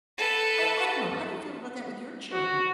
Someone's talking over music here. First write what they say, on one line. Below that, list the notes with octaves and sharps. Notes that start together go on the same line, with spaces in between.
I I don't know. How do you feel about that with your children?
A4 B4
F#4